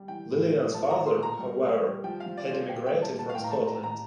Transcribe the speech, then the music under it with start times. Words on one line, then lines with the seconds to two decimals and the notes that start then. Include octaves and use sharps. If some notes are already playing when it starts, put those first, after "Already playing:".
Lillian's father, however, had immigrated from Scotland.
Already playing: G3
0.08 E3 G5
0.31 A2
0.52 A2
0.74 F3 A5
0.90 A#5
0.96 F3
1.06 C6
1.18 A#2 A#5
1.38 G3
1.61 G3
1.82 G3
2.04 F3 G5
2.20 F5
2.26 F3
2.37 D5
2.48 F3 C5
2.69 A#2 G5
2.86 G3 G5
3.02 A5
3.14 A#2
3.19 A5
3.29 F5
3.35 A2 G5
3.44 A#5
3.51 A5
3.57 A2
3.67 A#5
3.78 A2 A#5